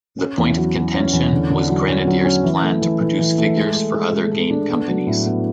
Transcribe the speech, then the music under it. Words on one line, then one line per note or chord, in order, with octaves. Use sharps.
The point of contention was Grenadier's plans to produce figures for other game companies.
C#4
E2
F#3
F#3
C#4
E2
D3
D3
F#3
C#4
F#3
C#4
E3
A3
E3
E3
E3
A3
G#3
A4
G#3
G#3
A4
D4
B3
F#3
A2
B3